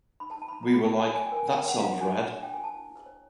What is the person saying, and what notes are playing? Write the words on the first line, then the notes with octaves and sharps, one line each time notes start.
We were like, 'That sounds rad.
D#4 B5
A5
D#4
A5
B5
D#4 A#5
C#5 A#5
B5
A#4 A5
F#4 G#5
C#5 G#5
G5
A#4 G#5
C#5 G5
G5
A#4 F#5
D4 F5
A#4 F#5
G#5
C#5
F#4
C#5 G5
F#4 G#5
A5
E4
E4
C#5